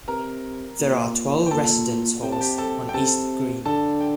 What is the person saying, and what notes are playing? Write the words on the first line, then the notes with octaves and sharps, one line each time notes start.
There are twelve residence halls on East Green.
C3 A#4 A#5
A#2
G5
A#2 A4 A5
C3 G5
A5
G4 G5
A4 A5
G5
C3 A4 A5
D3 A4 A5
G5